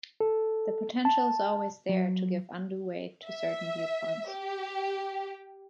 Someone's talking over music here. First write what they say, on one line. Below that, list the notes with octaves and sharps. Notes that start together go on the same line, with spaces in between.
The potential is always there to give undue weight to certain viewpoints.
A4
A5
F#3
E5
G4